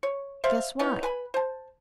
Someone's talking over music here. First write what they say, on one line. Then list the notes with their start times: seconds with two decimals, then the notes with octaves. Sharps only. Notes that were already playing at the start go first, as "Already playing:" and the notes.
Guess why?
0.03 C#5
0.44 C5 D5 E5 F5
0.79 B3 C#4 D#4 E4
1.03 B4 G#5 B5
1.34 C5 A5